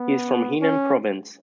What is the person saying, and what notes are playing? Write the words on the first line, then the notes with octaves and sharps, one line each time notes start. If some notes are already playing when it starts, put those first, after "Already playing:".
He is from Henan province.
Already playing: B3
C#4